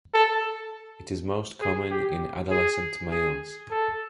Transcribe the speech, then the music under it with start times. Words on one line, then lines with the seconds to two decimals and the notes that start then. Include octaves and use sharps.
It is most common in adolescent males.
0.14 A4
1.61 G#4
1.91 G4
2.51 G#4
3.11 G#4
3.71 A4